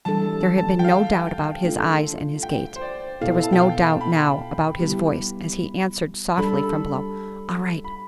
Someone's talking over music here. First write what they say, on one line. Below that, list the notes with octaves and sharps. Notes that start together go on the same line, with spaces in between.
There had been no doubt about his eyes and his gait; there was no doubt now about his voice, as he answered softly from below--"All right!"
E3 G3 D4 A4 A5
A5
G5
F5
A3 D4 F4 A4
G5
C5
D5
B2 B3 E4 A4 F5
A5
G5
F5
B5
G3 B3 E4 G4
G3 D4 A4 B5
B5